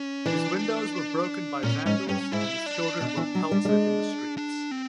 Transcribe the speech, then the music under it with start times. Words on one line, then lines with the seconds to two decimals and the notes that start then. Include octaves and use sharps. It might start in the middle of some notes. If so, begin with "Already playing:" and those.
His windows were broken by vandals, and his children were pelted in the streets.
Already playing: C#4
0.26 E3 D4
1.63 A#2 C#4
1.85 G#2 C#4
2.08 G2 C#4
2.32 G#2 E4
2.66 D4
3.00 B2
3.17 E3
3.35 F#3
3.51 G3
3.65 G3
3.68 G#3
4.37 D4
4.71 C4